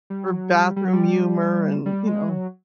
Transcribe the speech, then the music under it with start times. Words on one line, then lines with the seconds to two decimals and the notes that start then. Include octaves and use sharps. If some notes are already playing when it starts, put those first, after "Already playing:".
or bathroom humor, and, you know
0.10 G3
0.32 F#3
0.54 G3
0.76 G3
0.85 F#3
0.93 G3
1.86 G3
2.07 G#3
2.29 F#3